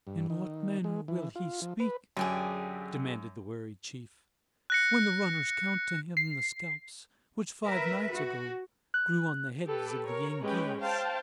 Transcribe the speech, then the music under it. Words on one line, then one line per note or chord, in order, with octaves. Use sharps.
"In what manner will he speak," demanded the wary chief, "when the runners count to him the scalps which five nights ago grew on the heads of the Yengeese?"
G2
D#3
G#3
E3
F4
F3
B4
F#2 D3 G4 G#4
F#6 A#6 C#7
C7
A#4 B4 E5
F#4
F#6
G4 A4 B4
A#4 C#5
G#3 C#4 G4 B4 G5
C5 F5 G5 A5